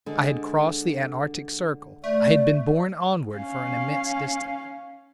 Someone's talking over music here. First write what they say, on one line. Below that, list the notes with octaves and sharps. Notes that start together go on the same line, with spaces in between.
I had crossed the antarctic circle; I had been borne onward for an immense distance.
D3 G#3
A3 D5
C#4 F5